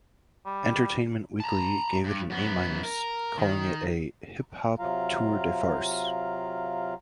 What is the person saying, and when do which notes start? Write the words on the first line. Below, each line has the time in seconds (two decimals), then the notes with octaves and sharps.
"Entertainment Weekly" gave it an A-, calling it a "hip-hop tour-de-farce".
0.46 G3
1.40 A5 A#5
2.04 G2
2.30 F#2 B3
2.83 A#4
3.38 D#3
4.79 C3 F#3 F4 F5 A#5